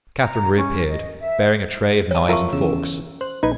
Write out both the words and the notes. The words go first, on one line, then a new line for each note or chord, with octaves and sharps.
Catherine reappeared, bearing a tray of knives and forks.
A#5
C#4
D#5
E5
C#5 A5
F2 F4 A#4 E5 A5 C#6
E2 C#3 E6
C5 F#6
A#1 D#4 B4 G#6